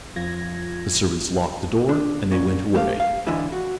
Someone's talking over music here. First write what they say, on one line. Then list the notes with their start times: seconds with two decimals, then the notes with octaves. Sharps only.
The servants locked the door, and they went away.
0.16 F2 F3 F4 G#6 A#6
1.89 D4
2.31 A#2 C#4
2.74 C#2 A3 G4 F5
3.00 F5
3.27 G#2 D3 E3 G#3 E4 G#4
3.52 F#4